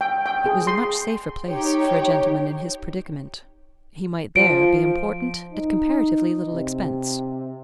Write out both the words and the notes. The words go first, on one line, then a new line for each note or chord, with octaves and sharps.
It was a much safer place for a gentleman in his predicament: he might there be important at comparatively little expense.
G5
G5
G#4
C6
D#4 G4 C#5 G5
F3 D7
D#4
C3